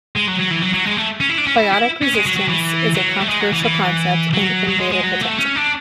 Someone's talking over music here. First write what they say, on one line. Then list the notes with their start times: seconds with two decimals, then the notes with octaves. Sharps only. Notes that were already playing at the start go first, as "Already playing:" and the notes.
Biotic resistance is a controversial concept in invader potential.
0.16 G#3
0.27 F#3
0.39 F#3
0.51 E3
0.62 F#3
0.74 F#3
0.85 G#3
0.97 A3
1.20 C#4
1.29 E4
1.38 D4
1.47 C#4
1.55 E4
1.73 E4
2.02 C#4
2.13 G#3
2.25 F#3
2.36 F#3
2.48 E3
2.95 F#3
3.20 A3
3.29 G#3
3.41 F#3
3.52 E3
3.64 E3
4.34 F#3
4.69 F#3
4.80 G#3
4.92 G#3
5.03 F#3
5.21 A3
5.38 C#4
5.56 D4